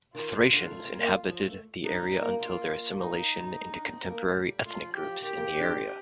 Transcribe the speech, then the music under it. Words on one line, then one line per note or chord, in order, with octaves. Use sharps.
Thracians inhabited the area until their assimilation into contemporary ethnic groups in the area.
D#3 F4
C3
D3
A3
C4
A#3
F3
A3
D4 D#4
C4
A#3
A#3 F4
D#4
C4
D4
D4
C4
A#3
A3
G3
A3 F4
F3
G4
F3
D#3 G4
A#3
C4
D4
C4